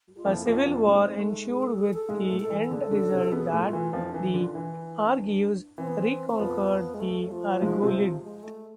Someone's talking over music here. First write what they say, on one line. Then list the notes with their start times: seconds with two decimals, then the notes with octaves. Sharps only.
A civil war ensued, with the end result that the Argives re-conquered the Argolid.
0.16 F4
0.25 F2 F3 E4
0.45 F2 F3
0.56 D4
0.66 F2 F3
0.86 G#2 G#3 C4
1.18 A3
1.48 G#4
1.63 A4
1.78 G#4
1.94 A4
2.09 G#2 G#3 G#4
2.25 A4
2.30 A2 A3
2.40 A4
2.50 E3
2.64 A4
2.71 D3 D4 G#4
2.81 A4
2.91 D3 D4
3.12 C3 C4
3.32 B2 B3 G#4
3.52 A2 A3
3.63 F4
3.73 E3
3.93 F2 F3 B3
4.03 E4
4.09 E3 D4
4.24 E4
4.34 D3
4.40 F4
4.54 E3 E4
5.06 C4
5.16 D4
5.78 E3 C4
5.87 B3
5.97 C4
6.29 C4
6.39 F2 F3 B3
6.94 G#3
7.00 A3
7.32 F3
7.62 G#2 G#3
7.82 C3 C4
8.23 G#3
8.43 A3